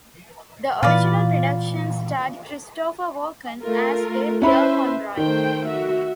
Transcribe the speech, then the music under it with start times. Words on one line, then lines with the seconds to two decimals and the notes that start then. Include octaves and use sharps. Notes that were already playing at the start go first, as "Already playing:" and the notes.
The original production starred Christopher Walken as Gabriel Conroy.
0.83 A#2 E3 F4 B4 D5
3.62 A3 F4 A#4
4.42 C#4 E4 B4 C5 E5 B5
5.17 D#3 A3 C5 G5
5.65 F#4 E5